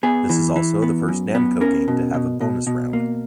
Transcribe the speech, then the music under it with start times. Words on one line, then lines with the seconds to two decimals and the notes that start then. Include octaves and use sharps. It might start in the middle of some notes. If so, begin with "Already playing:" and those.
This is also the first Namco game to have a bonus round.
0.03 B3 G#4
0.30 E3
0.56 E3
0.82 B3
1.08 F#2
1.35 B3
1.61 C#4 A#4
1.88 B2
2.14 B2
2.41 B2
2.67 B2
2.93 A#3